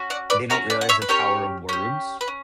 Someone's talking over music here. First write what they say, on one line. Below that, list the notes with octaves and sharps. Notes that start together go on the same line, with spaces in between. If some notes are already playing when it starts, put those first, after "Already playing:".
they don't realize the power of words,
Already playing: C#4 F#4
D5 F#5
B4 D5
C#4 F#4 A#4 C#5
B4 D5
F#5
C#5 E5
B4
C#4 G4 A#4 C#5
C#4 G4
B4
C#4